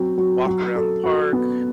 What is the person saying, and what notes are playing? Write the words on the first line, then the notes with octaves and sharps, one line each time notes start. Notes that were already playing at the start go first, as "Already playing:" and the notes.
walk around the park,
Already playing: F#3 C4
F#3
F#3
A4
F#4
B3